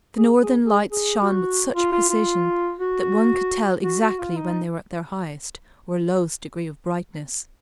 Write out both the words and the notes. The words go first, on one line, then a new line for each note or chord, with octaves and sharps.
The northern-lights shone with such precision that one could tell exactly when they were at their highest or lowest degree of brightness.
G#4
G#4
G#4
G#4
F#4
F4
F4
F4
F#4
F#4
F#4
F4
D#4